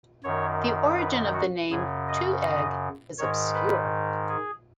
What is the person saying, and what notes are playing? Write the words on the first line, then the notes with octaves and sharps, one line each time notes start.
The origin of the name Two Egg is obscure.
F#2 D#3 C#5
B4
F#4
F#2 C#3 G#4
D#5
D#5
G#2 D#3 C#5
B4
G#4